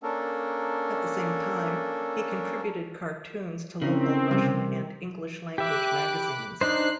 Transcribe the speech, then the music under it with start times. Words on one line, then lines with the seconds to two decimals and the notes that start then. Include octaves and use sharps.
At the same time, he contributed cartoons to local Russian and English-language magazines.
0.03 A#3 C#4 D4 A4 A#4
3.82 C#3 C4 D4 E4 A#4
4.31 C3 G3
5.58 G4 E5 B5 D6 F#6
6.61 D4 D#4 C5 F#6 C7